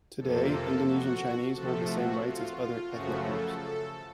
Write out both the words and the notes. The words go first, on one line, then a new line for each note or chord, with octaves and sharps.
Today, Indonesian Chinese hold the same rights as other ethnic groups.
F2 C3 F3 A#3 A4
A4
F#4
C3 F3 A3 A4
F#4
F4
F4
F#2 C#3 F3 A3 F#4
A4
A4